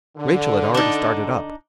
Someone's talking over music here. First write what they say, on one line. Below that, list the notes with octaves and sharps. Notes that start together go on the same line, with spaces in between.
Rachael had already started up.
D3
D4 D#4